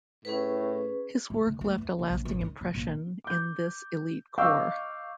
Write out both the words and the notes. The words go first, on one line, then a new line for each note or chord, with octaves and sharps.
His work left a lasting impression in this elite corps.
A2 C#4 G#4 B4
A3
D3
A3
E2
A#1
A#1
A1
D#3
D#1
A#1
D6 G6
D#5 F5 C#6 D6 E6 G6